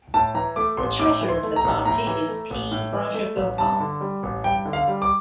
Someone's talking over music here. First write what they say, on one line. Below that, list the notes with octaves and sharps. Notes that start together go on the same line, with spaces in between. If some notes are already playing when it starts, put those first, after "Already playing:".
The treasurer of the party is P. Rajagopal.
A2 A5
E3 A#5
A3 D6
A1 C6
A2 D6
E3
C6
A3
A#5
A1
A2 A#5
E3
A3
A1
A2
E3
A3
A1
G2 A5
D3
G3
A1
G2 G5
D3
F5
G3
D6